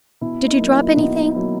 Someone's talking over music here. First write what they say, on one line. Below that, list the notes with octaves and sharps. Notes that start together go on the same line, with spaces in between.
Did you drop anything?
B2 E4
D#4
F#3 A#3
E4
E4
B2 D#4 F#4
D#4
F#3 A#3 E4